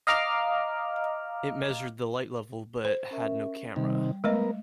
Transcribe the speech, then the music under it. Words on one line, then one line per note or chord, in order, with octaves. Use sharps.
It measured the light level but had no camera.
D#5 F5 A#5 D6 F6
C5
C#4 A#4 E5
C3 D#3 G3
G#3 A3 B3 A#4 D#5